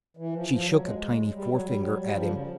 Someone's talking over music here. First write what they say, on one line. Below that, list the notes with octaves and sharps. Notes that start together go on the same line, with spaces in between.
She shook a tiny forefinger at him.
E3
F3
F3
F#3
G#3
G#3
G#3
G3
F#3
G3
F#3
G3
F3
D3
C#3